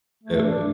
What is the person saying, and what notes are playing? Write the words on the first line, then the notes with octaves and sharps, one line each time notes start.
That'd be
A3
D4